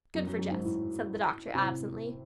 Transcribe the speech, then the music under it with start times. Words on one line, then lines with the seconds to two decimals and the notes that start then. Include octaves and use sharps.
"Good for Jess," said the doctor absently.
0.15 F#2
0.27 F#2
0.38 F#2
0.51 G#2
0.63 A2
1.55 C3
1.61 A2